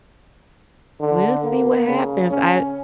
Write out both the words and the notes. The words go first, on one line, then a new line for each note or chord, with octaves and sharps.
we'll see what happens. I
D3
A#3
C#3
C#4